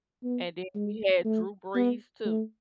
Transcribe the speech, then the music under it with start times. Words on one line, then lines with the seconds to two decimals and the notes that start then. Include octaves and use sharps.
and then we had Drew Brees, too.
0.24 B3
0.75 G#3
1.25 A3
1.75 B3
2.26 A3